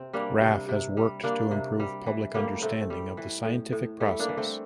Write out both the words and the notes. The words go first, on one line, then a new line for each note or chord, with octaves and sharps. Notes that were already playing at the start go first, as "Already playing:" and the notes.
Raff has worked to improve public understanding of the scientific process.
Already playing: C3 C4
G3 A#3 D4
C3
C3
G3
G3 A#3 D4
C3
G3
E3
A2 G3 A#3
A2 A3 C4
G3
E3
A2
A2
G3 A3
A#3 D4
E3
A3 C4